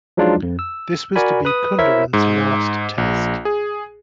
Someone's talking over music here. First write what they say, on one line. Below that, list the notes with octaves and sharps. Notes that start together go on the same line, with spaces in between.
This was to be Kunderan's last Test.
F3 F#3 G#3 D4 D#4 F4
F2
E6
F#4 A#4 D5 G#5 B5
B4 B5 D#6
E4 A#4 C5 C#5 E5
G#2
A#1
G#4